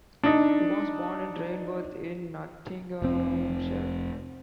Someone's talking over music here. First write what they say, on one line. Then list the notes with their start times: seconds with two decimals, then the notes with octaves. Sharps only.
He was born in Rainworth in Nottinghamshire.
0.23 D4 D#4
3.02 F1 C4